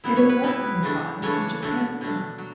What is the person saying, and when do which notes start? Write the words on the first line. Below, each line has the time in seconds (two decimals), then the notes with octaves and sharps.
It is also nearby to Japantown.
0.04 B2 G3 B3 E4
0.16 C#5
0.29 B4
0.43 B2 G3 B3 E4 B4
0.83 C#3 E3 A3 D4
1.22 C#3 E3 A3 D4 C#5
1.62 B2 A3 D4
2.01 B2 A3 D4
2.38 F#3